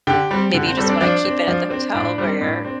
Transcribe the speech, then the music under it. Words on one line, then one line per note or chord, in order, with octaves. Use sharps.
maybe you just wanna keep it at the hotel where you're
D3 G4 G5
G3 C4
D3
C4 C5
G3 C4 A4
D4 D5
F3 D4 D5
C4
F3
C4
A2 D4 D5
G3 C4
A2
C4